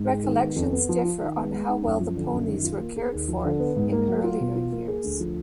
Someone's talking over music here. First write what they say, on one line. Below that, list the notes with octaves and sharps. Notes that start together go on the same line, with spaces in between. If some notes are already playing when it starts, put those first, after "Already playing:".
Recollections differ on how well the ponies were cared for in earlier years.
Already playing: G#2
G#3
D#3
B3
F2
B3
F3
F4
D#3
B3
G#3
D#4
F#2
F3
D3
F#2
D#3
F4
A#3
G#4
D#2
F3
D3
B3
G#2
A#3
F#3
F4
B2
F4
A#3
G#4
D2
F3